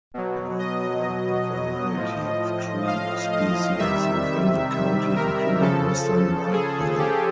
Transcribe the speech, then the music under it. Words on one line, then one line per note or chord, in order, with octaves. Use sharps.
There are a variety of tree species within the county including Western White Pine.
B2 F#3
D#5
A2 F3
F5
D#5
C3 D#3 G3 E5
E5
E5
A#4
C#3 F3 A4
G#4
G4